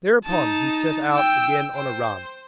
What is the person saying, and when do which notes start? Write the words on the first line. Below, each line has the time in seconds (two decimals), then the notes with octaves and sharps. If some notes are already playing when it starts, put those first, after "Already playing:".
Thereupon he set out again on a run.
0.25 D#4 A5
1.11 G5 E6
1.75 C5